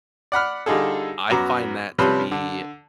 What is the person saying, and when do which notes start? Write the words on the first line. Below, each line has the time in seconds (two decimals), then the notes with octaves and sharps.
I find that to be
0.32 D5 F#5 B5 F6
0.66 D3 G3 D#4 F4 G#4 A4
1.30 F#2 B3 F#4 A#5 D6
1.99 C3 F3 G3 C#4 B4 C5
2.31 D3